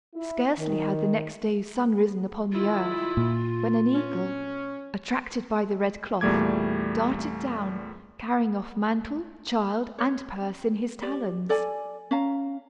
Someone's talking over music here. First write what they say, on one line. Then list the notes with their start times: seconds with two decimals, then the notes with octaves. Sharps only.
Scarcely had the next day's sun risen upon the earth, when an eagle, attracted by the red cloth, darted down, carrying off mantle, child, and purse in his talons.
0.14 E4
0.58 D#3
2.53 D#3 E4 F4
3.17 A#2
3.93 C#4
6.21 E2 A#2 G3 A3 D6 G#6
9.98 C#5
11.02 G4 D5
11.49 A4 D5 G#5
12.11 C#4 F5 A#5